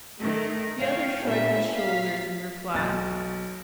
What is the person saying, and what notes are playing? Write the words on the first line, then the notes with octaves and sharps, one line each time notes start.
The other shrugged his shoulders in reply.
D#3 A3
C#5 F5 G5
G1 A#2 D4 E5
F5 B6
B1 A6